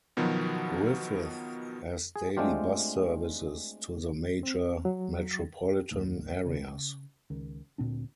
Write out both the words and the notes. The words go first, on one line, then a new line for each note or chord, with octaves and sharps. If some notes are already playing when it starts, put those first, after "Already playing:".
Griffith has daily bus services to the major metropolitan areas.
B2 D#3 F3 F#3 B3
G#4
G#3 A3 C4 D4 F4 G4
C4
F#3
A1 D#2
C#3
C#2 D#3
D2 A#2 C4 D4